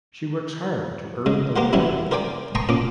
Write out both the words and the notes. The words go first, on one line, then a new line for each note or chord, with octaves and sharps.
She works hard to earn the living.
C#3 G#3
A#3 G4 A#4 C5 F#5
E3 F#3 G3 C#4 E4
A#4 C5 D5 G5 G#5
G5 A5 A#5 C6 C#6 D#6
A#2 C#4 D6